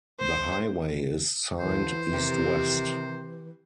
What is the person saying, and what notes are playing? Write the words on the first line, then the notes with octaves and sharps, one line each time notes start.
The highway is signed east-west.
C5
D#2 D3 E3 C5
C3 D#3 C4 G4